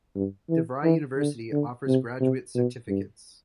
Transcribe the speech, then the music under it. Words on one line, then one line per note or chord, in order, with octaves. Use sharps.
DeVry University also offers graduate certificates.
G2
E3
E3
D3
D3
C3
C3
B2
G2